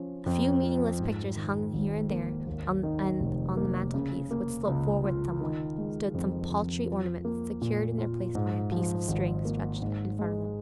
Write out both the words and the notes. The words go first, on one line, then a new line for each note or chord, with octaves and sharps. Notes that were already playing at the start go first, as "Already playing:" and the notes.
A few meaningless pictures hung here and there, and on the mantel-piece, which sloped forward somewhat, stood some paltry ornaments, secured in their places by a piece of string stretched in front of them.
Already playing: F3 C#4
F2
F4
G#2
D#3
G#1
A#3
D#2
D#3
F1
A#3
C#3
A#3
C#2
F4
D#3
G#3
F2
F2
F3
A#3
A#2
F4
G#2
F3
G#1
A#3
G#2
G#3